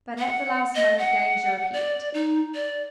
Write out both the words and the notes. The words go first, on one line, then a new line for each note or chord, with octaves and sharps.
But at the last moment danger appeared.
F#5
D#5
F#5
D5
D#4
D5